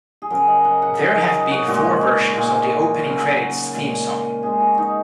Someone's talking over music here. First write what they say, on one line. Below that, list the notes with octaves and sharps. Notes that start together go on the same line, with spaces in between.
There have been four versions of the opening credits theme song.
G#4
C#3 F#3 A#4
D#5
F#5
F#5
C#3 F#3 D#5
D#4
F#4
A#2 G#3 F#4
A#2 G#3
C#3 F#3
A#2 G#3
C#3 G#3 G#4
F#4
D#4